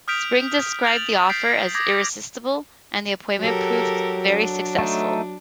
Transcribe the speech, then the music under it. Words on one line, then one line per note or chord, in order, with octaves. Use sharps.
Spring described the offer as "irresistible" and the appointment proved very successful.
D#6 F6 G6 B6 D7 F7
F6 G6 A6 F7 F#7
G6 A6 B6 C7 D7
D6 D#6 G6 G#6 A#6
F#3 G4 A4 A#4
D4
A3 D#4